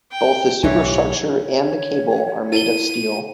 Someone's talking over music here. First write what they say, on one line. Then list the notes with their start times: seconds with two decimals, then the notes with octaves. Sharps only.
Both the superstructure and the cable are made of steel.
0.12 G5
0.63 B1 A2 E3 G4 C#5 G#5
1.36 C#5
2.52 E4 D#7 G7